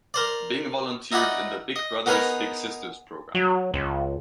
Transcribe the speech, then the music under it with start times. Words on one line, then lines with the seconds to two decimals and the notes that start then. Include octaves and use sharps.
Bing volunteered in the Big Brothers Big Sisters program.
0.14 A#4 C5 D5
1.12 D#4 E4 F#4 D5 D#5
1.76 D#5
2.06 B3 D#4 G#4 A#4 B4 C#5
3.35 F#3
3.74 C#2